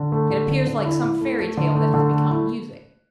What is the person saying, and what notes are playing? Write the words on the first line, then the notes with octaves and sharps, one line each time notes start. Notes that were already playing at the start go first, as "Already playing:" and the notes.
It appears like some fairy tale that has become music.
Already playing: D3
A3
D3
D3
D3
E4
E4
A3
A3
D3
A3
D3
A3
E4